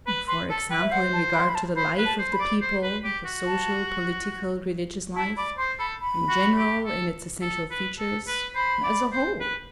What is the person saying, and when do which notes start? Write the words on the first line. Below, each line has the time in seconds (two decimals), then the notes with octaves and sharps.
"For example, in regard to the life of the people--the social, political, religious life--in general, in its essential features--as a whole."
0.07 B4 B5
0.28 B4 C6
0.49 A4 A5
0.70 B4 G5
0.81 E5
0.91 C5 F#5
1.13 A5
1.34 B5
1.41 C6
1.49 B5
1.55 A5
1.76 C5 B5
1.98 B4
2.05 A5
2.19 C5
2.33 B5
2.40 D5
2.61 C5
2.83 B4
3.04 G4
3.25 F#4
3.46 A5
5.16 E4 A5
5.37 D5 B5
5.58 C5 C6
5.79 A4 B5
6.01 B5
6.29 F#4
6.58 G4
6.85 A4
7.42 A4
7.71 B4
7.99 A4
8.27 B4
8.55 C5 B5
8.83 D5
9.12 C5
9.40 B4